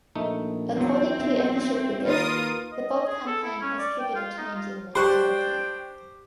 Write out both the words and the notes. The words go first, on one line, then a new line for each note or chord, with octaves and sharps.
According to official figures, the Bob campaign has triggered a change in mentality.
A#1 A3 D#4
E2 F#3 B3 C4
B1 E5
D#2 F4 A#4 B4 D#6
D#5
D#5
G#4
A4
E4
C#4
D5
G5
F4
D#4
F4
D4 G4 C5 G5 C6 C#6 F#6